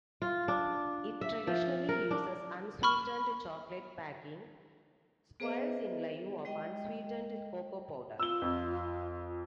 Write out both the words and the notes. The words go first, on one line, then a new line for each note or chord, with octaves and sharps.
It traditionally uses unsweetened chocolate baking squares in lieu of unsweetened cocoa powder.
F4
D4
E5
F3
A#4
D4
B5 C#6 F6
B3 G#4 B4 C5 D#5 E5
G#3 D#5 G5
F4 E6 G7
F2